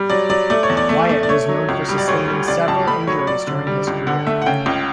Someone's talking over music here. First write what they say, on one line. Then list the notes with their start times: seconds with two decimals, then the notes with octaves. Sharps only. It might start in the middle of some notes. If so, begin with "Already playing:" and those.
Wyatt was noted for sustaining several injuries during his career.
Already playing: G3
0.10 F#3 D5
0.30 F#3 D5
0.50 A3 D5
0.63 C#5
0.70 E2
0.77 D5
0.89 A3
1.09 A3
1.23 D5
1.29 A3 C#5
1.49 F#3
1.69 C#2
1.89 G3
1.98 D5
2.08 D2 C#5
2.28 G3
2.48 C#2 D5
2.68 C#2 A5
2.88 A3 B5
3.07 F#3 C#5
3.19 C#5
3.27 F#3 D5
3.47 D3
3.67 G3
3.87 C#2
4.07 D3 F#5
4.27 A3 E5
4.42 F#5
4.46 C#3 G5
4.66 C#2